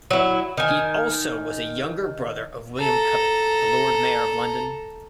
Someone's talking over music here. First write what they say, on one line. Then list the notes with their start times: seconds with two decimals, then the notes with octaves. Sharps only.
He also was a younger brother of William Cubitt, the Lord Mayor of London.
0.11 F#3 E4
0.57 D#3 G#5
2.80 A4 A#5